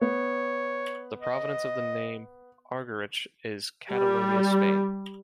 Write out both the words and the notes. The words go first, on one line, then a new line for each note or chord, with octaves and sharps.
The provenance of the name Argerich is Catalonia, Spain.
B3 C#5
D#5
G3